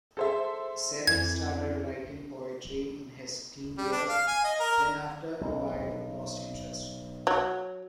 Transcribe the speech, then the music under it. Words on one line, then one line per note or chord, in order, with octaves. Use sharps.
Seth started writing poetry in his teen years, then after a while lost interest.
G#4 A4 C5 E5
F2 E3 G#6
G3
D4
F5
G#5
D#5
A#4
B1
F#3